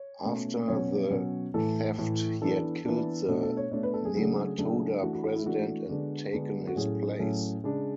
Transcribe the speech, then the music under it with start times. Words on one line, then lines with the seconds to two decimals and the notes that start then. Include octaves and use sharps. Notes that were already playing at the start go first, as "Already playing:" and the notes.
After the theft, he had killed the Nematoda president and taken his place.
Already playing: C#5
0.23 B2 A3 C#4
0.68 B2 F#3 C#4 C#5
1.11 B2 F#3 C#4
1.54 A2 E3 A3 A4
1.98 A2 E3 A3
2.42 E3 B3 D4 A4
2.85 E3 B3 D4
3.28 B2 A3 D4 F#4
3.43 A4
3.57 C#5
3.71 B2 A3 D4 C#5
3.83 B4
3.94 A4
4.05 G#4
4.15 C#3 F#3 A3 D4
4.58 C#3 F#3 A3 D4
5.02 E3 A3 D4 F#4
5.13 F#4
5.24 F#4
5.35 E4
5.46 E3 A3 D4 F#4
5.89 D3 G#3 B3 D4
6.33 D3 G#3 B3 D4
6.67 F#4
6.76 A2 F#3 A3 C#4 G#4
7.19 A2 F#3 A3 C#4
7.64 C#3 G#3 D4